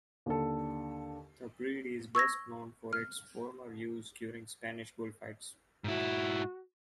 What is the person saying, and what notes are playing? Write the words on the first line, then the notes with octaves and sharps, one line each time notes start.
The breed is best known for its former use during Spanish bullfights.
D#2 D3 A4
C#6 E6 G#6 A#6
F6
G#2 E4 F#4